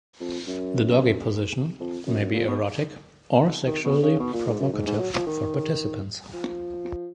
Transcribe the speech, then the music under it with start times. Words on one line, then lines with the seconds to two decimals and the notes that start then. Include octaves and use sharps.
The doggy position may be erotic or sexually provocative for participants.
0.20 F2
0.48 F#2
1.80 F2
2.07 F#2
2.20 F#2
2.34 A#2
2.47 B2
3.66 D#3
3.84 B2
4.03 C#3
4.20 B2
4.33 A#2
4.46 G#2
4.60 F#2
4.73 G#2
4.87 G#2
4.99 F#3
5.14 F3
5.27 D#3
6.34 F3